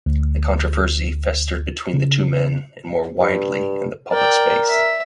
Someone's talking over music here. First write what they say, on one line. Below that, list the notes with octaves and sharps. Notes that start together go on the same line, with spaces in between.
The controversy festered between the two men and more widely in the public space.
D2
C#3
G2
A#4 D5 G5
E5